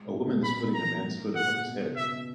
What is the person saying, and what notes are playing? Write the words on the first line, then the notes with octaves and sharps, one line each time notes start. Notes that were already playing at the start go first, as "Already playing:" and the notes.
A woman is putting a man 's foot above his head.
Already playing: G#3
A#2
B2
A#2
B2
A#2 B5
B2
A#2
B2
A#2
B2 A#5
A#2
F#2
G#2
A#2 F#5
B2
C#3
B2 E5
B2